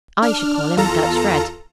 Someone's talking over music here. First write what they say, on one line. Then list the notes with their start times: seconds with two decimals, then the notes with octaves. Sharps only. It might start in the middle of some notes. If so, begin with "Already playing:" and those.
"I should call him Dutch Fred."
0.22 D4 F6
0.77 E2 F4 A4 A#5